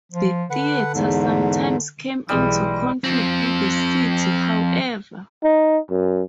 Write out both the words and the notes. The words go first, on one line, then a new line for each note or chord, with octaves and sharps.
The theatre sometimes came into conflict with the city, however.
F3
D3 B4 F#5
E2 G#2
B1 E3 G3 G#3
F3 C4
D#4
F#2